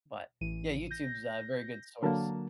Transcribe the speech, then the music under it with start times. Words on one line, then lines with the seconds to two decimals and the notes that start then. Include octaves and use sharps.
but yeah, YouTube's a very good source,
0.41 A1 E3 D#7
0.91 G6 A#6
2.03 D3 F#3 A#3 A#4 A5